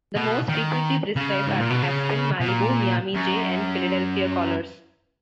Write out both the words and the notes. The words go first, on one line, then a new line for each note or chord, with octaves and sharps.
The most frequently prescribed are the Aspen, Malibu, Miami J, and Philadelphia collars.
B2
D#3
C#3
G#2
A#2
B2
C#3
B2
A#2
F#2